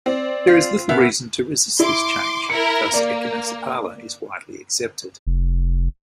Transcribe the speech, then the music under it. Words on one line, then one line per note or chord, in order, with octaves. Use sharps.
There is little reason to resist this change, thus "Echinosepala" is widely accepted.
C4 D5
F4
B2 A#4 E5
E4 C6 D6
E4 A#4 C#7
A#3 D5
F1